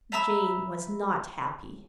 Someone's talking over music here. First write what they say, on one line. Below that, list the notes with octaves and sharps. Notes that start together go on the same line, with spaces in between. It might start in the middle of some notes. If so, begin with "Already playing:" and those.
Jane was not happy.
E5 A#5 B5 E6